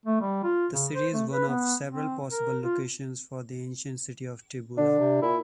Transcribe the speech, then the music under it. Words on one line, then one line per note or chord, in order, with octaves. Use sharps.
The city is one of several possible locations for the ancient city of Tibula.
A3
G3
F4
C#3
C5
A3
B4
B3
C4
A#4
F4
D3 D4
C3
A#2 E4